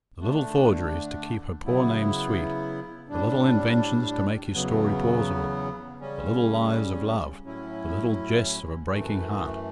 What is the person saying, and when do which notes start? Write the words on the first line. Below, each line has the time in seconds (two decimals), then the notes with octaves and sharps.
The little forgeries' to keep her poor name sweet, the little inventions to make his story plausible, the little lies of love, the little jests of a breaking heart!
0.19 D3 A3 D4
1.64 C#3 F#3 B3 E4
3.09 A2 G3 D4
4.54 E2 C#3 F#3 B3
5.99 C#3 G3 C#4
7.43 A2 F#3 C#4 E4
8.88 F#2 E3 A3